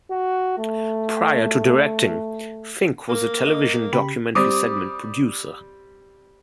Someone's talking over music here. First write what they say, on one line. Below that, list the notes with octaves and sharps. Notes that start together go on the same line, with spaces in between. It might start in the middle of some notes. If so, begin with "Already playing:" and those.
Prior to directing, Fink was a television documentary-segment producer.
F#4
A3
A#3
D#5
C#3 G4 B5
G3 C4 D6 D#6